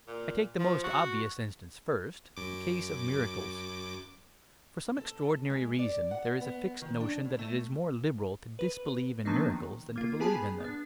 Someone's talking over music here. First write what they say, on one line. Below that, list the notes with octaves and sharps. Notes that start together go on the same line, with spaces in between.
I take the most obvious instance first, the case of miracles. For some extraordinary reason, there is a fixed notion that it is more liberal to disbelieve in miracles than to believe in them.
A#2
F3
F#4
F#2 D6
A4
G#3
D5
F#5
B3
D#3
D4
A2
A3
B4
F3 F#3 A#3 B3 D4 D#4
D#3
A#3 F4
B3 G4 G#4 G#5 A5 B5
B3 D4